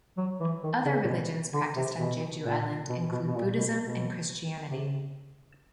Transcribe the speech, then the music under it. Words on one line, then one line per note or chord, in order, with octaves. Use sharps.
Other religions practiced on Jeju Island include Buddhism and Christianity.
F#3
E3
D#3
C#3
A#2
B2
D3
C3
B2
A#2
B2
B2
B2
A#2
B2
B2
C3